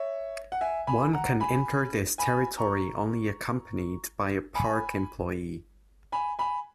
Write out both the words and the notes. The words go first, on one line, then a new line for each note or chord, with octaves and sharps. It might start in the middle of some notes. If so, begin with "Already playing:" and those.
One can enter this territory only accompanied by a park employee.
Already playing: C#5 E5
F#5
E5 G#5
G#5 B5
F#5 A#5
G#5 B5
G#5 B5
A#5 C#6
G#5 B5
G#5 B5
G#5 B5